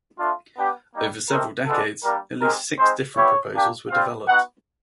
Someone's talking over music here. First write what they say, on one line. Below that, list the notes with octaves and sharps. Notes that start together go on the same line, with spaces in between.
Over several decades At least six different proposals were developed.
A3 D4 F4
B3 D4 G4
G3 A#3 D#4
A3 C4 D#4 G4 A#4
G#3 B3 D4 F4 A4
G3 A#3 D4 A#4
G#3 C4 D#4 G4 A#4
G#3 C4 D#4 C5
G3 B3 E4 G4 C#5
A#3 D4 G4
G3 C4 F4 F5
B3 D#4 F#4 F#5